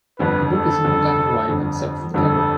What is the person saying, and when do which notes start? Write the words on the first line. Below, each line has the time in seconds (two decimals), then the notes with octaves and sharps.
The book is in black and white except for the cover.
0.19 G1 F2 D3 B4
0.52 A4
0.84 G1 F2 D3
1.49 G1 F2 D3
2.14 G1 F2 D3 A4